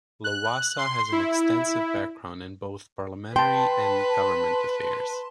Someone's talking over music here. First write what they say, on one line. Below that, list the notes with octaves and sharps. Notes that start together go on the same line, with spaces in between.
Lowassa has an extensive background in both parliamentary and government affairs.
F#6
C6
E4
B4 G5 A5 C6